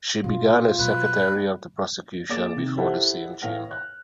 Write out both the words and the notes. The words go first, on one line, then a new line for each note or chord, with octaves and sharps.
She began as secretary of the prosecution before the same chamber.
B2 C#4 F4
B2 F#3 B4
A#3 G#4 D5 D6 A6 E7
C3 D#3
E4 G4 A4 C5 F#5
A2 B4 F5 F6 A#6
F#6